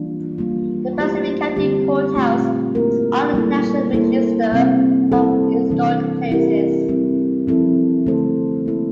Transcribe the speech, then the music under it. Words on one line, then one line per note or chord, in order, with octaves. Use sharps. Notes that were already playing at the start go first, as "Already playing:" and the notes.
The Pacific County Courthouse is on the National Register of Historic Places.
Already playing: E3 G3 A#3 D4 F4
G3 A#3 F4
A3 E4 G4 C5
D3 G3 C4 G4
A#2 A3 C4 F4
A#3 E4 A#4
G3 A#3 E4 A4
A#3 E4 A4 C5
C3 G3 C4
G3 C4 E4 A4 C5
C3 E3 G3 D4
G3 C4 E4 G4 A#4
G3 C4 E4
F3 C4 E4 A4
D3 A3 E4 A4 C5
A#3 E4 A4